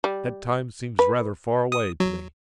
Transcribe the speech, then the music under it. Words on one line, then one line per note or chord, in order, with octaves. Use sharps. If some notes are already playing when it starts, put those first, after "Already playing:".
"That time seems rather far away to me."
G3
B4
D#6
F#3